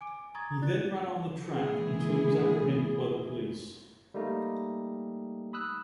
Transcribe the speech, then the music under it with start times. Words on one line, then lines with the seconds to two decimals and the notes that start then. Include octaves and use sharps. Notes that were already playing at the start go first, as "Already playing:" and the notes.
He then ran on the track until he was apprehended by the police.
0.01 G#5 D6 D7
0.35 A#5 C#6 D#6 G#6 A6
0.61 D#4 E4 D5 F#6 A6
1.51 A#2 E3 G#3 E4 G#4
4.14 G3 A3 A#3 D#4
5.53 B5 D#6 E6 F#6